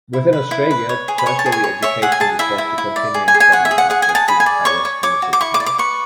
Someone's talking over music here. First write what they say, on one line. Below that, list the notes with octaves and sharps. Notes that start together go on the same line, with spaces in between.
Within Australia "Tertiary Education" refers to continuing studies after a students Higher School Certificate.
E4
B4
E4
B4
C#5
G#4
B5
C#5 C#6
A5
G#4
G#5
C#5
C#5 E5
G#4 F#5
G#5
G#4 A5
E4 E5
E4
E4
D5
G#4
G#5
G#4
G#5
C#5 F#5
E5
G#4
F#5
G#4 F#5
G#5
G#4
A5
G#4 B5
G#5
D5
C#5 C#6
C#5
C#5 D6
F#4
D6
E4 C#6
D6
D5
D6
B4 C#6